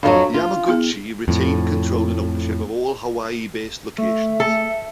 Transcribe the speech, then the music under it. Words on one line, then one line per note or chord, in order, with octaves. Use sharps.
Yamaguchi retained control and ownership of all Hawaii-based locations.
F2 D#3 F#3 D4
F4
B3 E4 G#4
F2 A2
A3 E5
A4